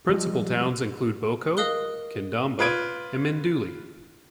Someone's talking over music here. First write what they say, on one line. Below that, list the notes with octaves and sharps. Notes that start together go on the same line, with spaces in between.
Principal towns include Boko, Kindamba and Mindouli.
F3 G3 G#3
A#4 D#5 F5 D#6 F#6 G7
F4 B4 G#6 D7